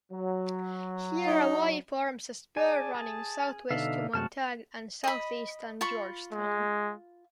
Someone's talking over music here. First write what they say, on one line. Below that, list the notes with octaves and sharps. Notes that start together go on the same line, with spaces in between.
Here a wye forms a spur running southwest to Montague and southeast and Georgetown.
F#3
D#4
G#4 D5 G#5 A5
G#4 A5
B2 D3 D#4 A4 E5 F5
F#2 C3 G#3 F#4 A5 F6
D#5 B5
F4 B5 C#6
G#3